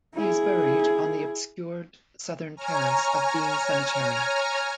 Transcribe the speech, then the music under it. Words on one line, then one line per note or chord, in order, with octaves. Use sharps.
He is buried on the obscured southern terrace of Dean Cemetery.
E4 G#4
C#5 G#5 A#5 F6